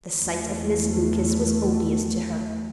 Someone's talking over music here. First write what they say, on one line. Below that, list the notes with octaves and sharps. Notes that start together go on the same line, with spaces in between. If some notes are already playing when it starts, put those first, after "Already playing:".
The sight of Miss Lucas was odious to her.
E2 A3